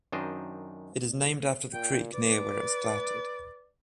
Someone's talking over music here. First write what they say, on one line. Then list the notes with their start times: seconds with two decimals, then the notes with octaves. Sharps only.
It is named after the creek near where it started.
0.12 F#2 D#3 D4 C5 D#5
1.73 A#2 G5
2.14 B4 D5